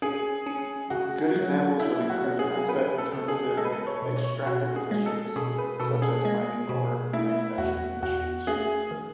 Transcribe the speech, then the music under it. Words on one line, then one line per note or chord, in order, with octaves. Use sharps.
Good examples would include asset-intensive extractive industries such as mining, or manufacturing industries.
C#4 G#4
C#4
C#3 F#4
F#3
F#3 E4
F#4
F#3
G#4
C#4 B4
A4
C#3
G#4
G#3 A4
B4
A4
C#5
B2
C#5
B2 F#4
G#4
G#3
A4
B2 G#4
B4
B2 A4
G#4
G#3
B2
A3 E4
E2 F#4
E2 F#4
A3 G#4
D#3